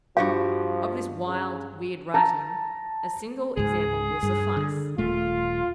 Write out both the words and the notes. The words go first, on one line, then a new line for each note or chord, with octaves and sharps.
Of this wild weird writing, a single example will suffice.
G2 F3 F#4 G4 F5
C#3
A5 A#5
C#2 G#2 G#4
G2
D3
D#1 A3 F4